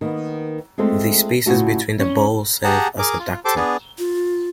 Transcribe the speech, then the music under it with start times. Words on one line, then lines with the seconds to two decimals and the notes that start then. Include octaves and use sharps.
The spaces between the balls serve as ducting.
0.01 D#3 A#3 B3
0.78 G#3 A3 C4 F4 A4
1.46 A2 C#3 F4 F#4 E5 A5
1.99 C#4
2.64 G4 G#4 F#5 A5 A#5
2.99 G#4 A#4 D6
3.19 F4
3.45 G4 A4 C5 A5 D6
3.56 B3 D4 G#4
3.99 F4